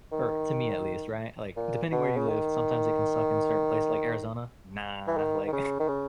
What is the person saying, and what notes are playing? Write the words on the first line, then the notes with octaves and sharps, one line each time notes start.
er, to me at least, right? Like, depending where you live, sometimes it can suck in certain place- like Arizona? Nah. Like
D#3
A#2
B2
C#3
D#3
E3
D#3
D#3
C#3
D#3
C#3